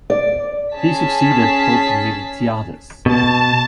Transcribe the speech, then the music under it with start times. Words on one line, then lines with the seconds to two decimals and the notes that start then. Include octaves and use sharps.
He succeeded Pope Miltiades.
0.10 D5
0.74 C#4 G#4 A5 B6
3.06 B2 A5